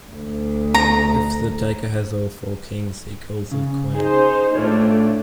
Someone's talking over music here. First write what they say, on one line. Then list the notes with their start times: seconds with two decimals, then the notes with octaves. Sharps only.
If the taker has all four kings, he calls a queen.
0.12 D2
0.74 A#5
3.51 C#3
3.95 D#4 G#4 C5
4.55 A2 A3 D4 F4 C#5